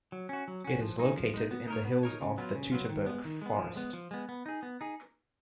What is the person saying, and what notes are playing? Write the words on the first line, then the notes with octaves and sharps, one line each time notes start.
It is located in the hills of the Teutoburg Forest.
F#3
C#4 F#4
F#3
C#4 F#4
F3
G#3 D#4
F3
G#3 D#4
B3
D#4 A#4 C#5
B3
D#4 A#4 C#5
C#3
F#3 B3 F4
C#3
F#3 B3 F4
D#3
G#3 B3
D#3
G#3 B3
F3
G#3 B3
F3
G#3 B3
B3
D#4 G#4
B3
D#4 G#4